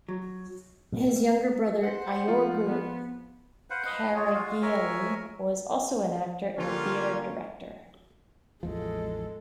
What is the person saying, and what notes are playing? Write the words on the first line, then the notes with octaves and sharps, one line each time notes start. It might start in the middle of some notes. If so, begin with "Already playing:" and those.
His younger brother Iorgu Caragiale was also an actor and theatre director.
F#3
C5 F#5
F3 F4
B3
B4 C5 F5 F#5
B4 D#5 F5
F4 G#4 C#5
G#3 F4 F#4 F5
A#4 C#5 E5 G#5
D3 G3 A#3 C#4 F4
A1 E2 F3 G#3 A4